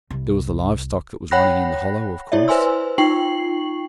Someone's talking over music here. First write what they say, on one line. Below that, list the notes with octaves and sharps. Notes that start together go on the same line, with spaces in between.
There was the live stock that was running in the Hollow, of course.
C2
C#5 F#5 G5 B5 F#6 A#6
E4 C#5 D5 E5
B4 C5 G#5 C6 E6
D#4 F4 G5 C#6 C7 F#7